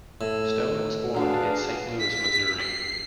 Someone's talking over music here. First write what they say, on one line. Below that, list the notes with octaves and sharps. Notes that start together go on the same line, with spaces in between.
Stone was born in Saint Louis, Missouri.
A2
D4 F#4 G#4 B4 F5 F#5
B6
C7